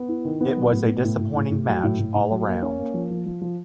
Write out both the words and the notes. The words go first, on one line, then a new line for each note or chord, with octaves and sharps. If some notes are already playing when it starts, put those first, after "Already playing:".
It was a disappointing match all round.
Already playing: B3
E4
D#3
B3
F#3
A2
B3
A2
A2
A2
A2
F#3
A2
A2
A2
F#3
A#3
C#4
A#3
F3
F3
F3
F3